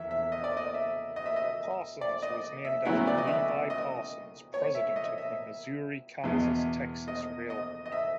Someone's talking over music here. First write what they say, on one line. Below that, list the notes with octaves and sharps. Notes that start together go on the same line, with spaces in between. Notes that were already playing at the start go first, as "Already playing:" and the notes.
Parsons was named after Levi Parsons, president of the Missouri-Kansas-Texas Railroad.
Already playing: E2 E5
E5
D#5
D5
D#5
E5
D#5
E5
D#5
D5
D#5
E5
D2 C#3 F#3 B3 E4 E5
D5
D#5
E5
D#5
C#5
E5
D#5
E5
E2 B2 G#3
D#5
D#5
D#5
E5